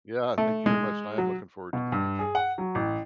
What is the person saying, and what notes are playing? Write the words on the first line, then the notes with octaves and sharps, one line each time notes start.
Yeah, thank you very much, and I am looking forward to the future.
A3
G#3
F#3
B2
G2
G#4
F#5
F#3
A1